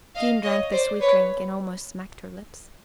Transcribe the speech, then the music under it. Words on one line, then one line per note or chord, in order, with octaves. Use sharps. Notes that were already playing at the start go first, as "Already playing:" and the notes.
Jean drank the sweet drink and almost smacked her lips.
D#5 F5
C#5 D#5
C5 D5
B4 C#5